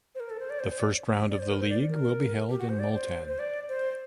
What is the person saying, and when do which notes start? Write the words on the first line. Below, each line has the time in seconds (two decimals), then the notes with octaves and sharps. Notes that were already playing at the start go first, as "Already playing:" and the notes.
The first round of the league will be held in Multan.
0.15 C5
0.20 A#4
0.30 A4
0.40 C5
0.50 D5
0.60 C5
0.70 C5
0.79 D5
1.30 D5
1.39 C5
1.49 A#4
1.60 C5
1.70 D5
1.89 A#4
2.49 G4
2.59 F#4
2.69 C5
2.79 D5
2.94 C5
3.28 C5
3.39 D5
3.69 C5